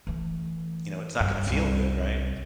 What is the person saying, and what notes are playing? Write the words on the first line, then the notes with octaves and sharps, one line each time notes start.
you know, it's not gonna feel good, right?
E3 A3
G2
C2